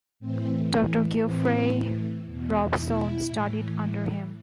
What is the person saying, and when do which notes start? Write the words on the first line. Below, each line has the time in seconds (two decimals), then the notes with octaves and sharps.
Dr Geoffrey Robson studied under him.
0.20 A2 E3 C4
1.22 A2 E3 C4
2.25 E2 B2
2.76 E4
3.27 A2 E3